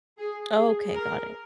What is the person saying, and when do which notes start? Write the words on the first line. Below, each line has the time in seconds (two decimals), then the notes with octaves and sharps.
Okay, got it.
0.18 G#4
0.56 G#4
0.94 A#4